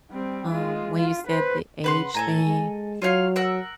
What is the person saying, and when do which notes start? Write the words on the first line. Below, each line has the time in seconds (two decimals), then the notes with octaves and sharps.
um, when you said the age thing
0.12 G3 C4
0.51 G#3 F4
0.97 F4
1.28 B4 C5
1.84 C#3 B4 F#5 C6
2.15 A2 A4 G#5 A#5
2.45 G#3
3.02 F#3 F4 C#5 F5
3.36 A#4 F#5 E6